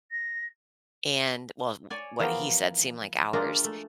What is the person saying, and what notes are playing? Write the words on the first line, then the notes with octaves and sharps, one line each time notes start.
and, well, w what he said seemed like hours
A#6
C#5 D5 G#5
E3 F3 A#3 B3 C5 G5
G#3 A#3 D4 F4 A#5
A3